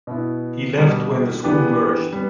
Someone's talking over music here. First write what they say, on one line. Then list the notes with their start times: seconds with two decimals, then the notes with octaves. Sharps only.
He left when the school merged.
0.07 B2 B3 E4
0.75 B2 G3 D4
1.43 E3 B3 D4 G4 B4
2.13 G3 B3